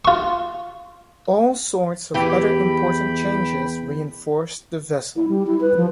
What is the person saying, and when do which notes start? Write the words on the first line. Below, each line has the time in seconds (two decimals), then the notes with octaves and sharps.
All sorts of other important changes reinforced the vessel.
0.05 F4 C#6
2.14 E2 E3 G4 G5 B5
5.16 E4
5.28 G3
5.47 E4
5.61 B4
5.77 F3